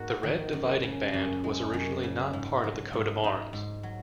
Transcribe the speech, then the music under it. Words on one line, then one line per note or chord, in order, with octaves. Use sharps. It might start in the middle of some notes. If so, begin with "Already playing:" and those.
The red dividing band was originally not part of the coat of arms.
Already playing: G#2 A#3 F#4
D#3
F#2
C#3
F#2
G#3
F#2
C#3
G#2
F#3
G#2
D#4
G#2
F#3